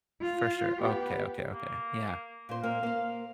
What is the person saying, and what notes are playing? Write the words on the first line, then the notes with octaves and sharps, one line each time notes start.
For sure. Okay, okay, okay. Yeah.
F4
B3 G4
A#3
A#2 C5
A#3 C4 F5
A#3 C5